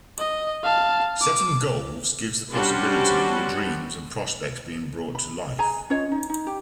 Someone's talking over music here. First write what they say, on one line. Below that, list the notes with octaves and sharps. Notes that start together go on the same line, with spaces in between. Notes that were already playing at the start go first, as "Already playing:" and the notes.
Setting goals gives the possibility of your dreams and prospects being brought to life.
D#5
F5 A5
D6
G3 C#4 D4 F#4 B4 C5
B5
G#4 G#5 A#5
C#4 F4 C#5 D#5
D#4
D#4
G4